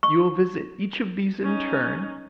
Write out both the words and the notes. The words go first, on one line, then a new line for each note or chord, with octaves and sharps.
"You will visit each of these in turn."
C#6
C#4 D#4